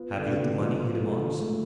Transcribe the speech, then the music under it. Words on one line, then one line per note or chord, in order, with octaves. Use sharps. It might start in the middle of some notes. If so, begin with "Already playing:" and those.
"Have you the money he demands?"
Already playing: B3 F4
D3
F3
A4
A3